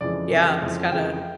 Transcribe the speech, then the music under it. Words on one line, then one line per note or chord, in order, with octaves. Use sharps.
Yeah, it's kinda
F2 C#3 E3 G#3 D5
F2 C#3 E3 G#3
F2 C#3 E3 G#3
F2 C#3 E3 G#3 G5